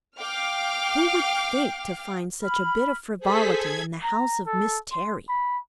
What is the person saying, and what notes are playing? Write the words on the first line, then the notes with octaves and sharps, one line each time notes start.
Who would think to find such a bit of frivolity in the house of Miss Terry!
F5 G5 D6 F6
B5 F6
G#4 A4 C5 B6
G#6
A#5
A4
C6
B5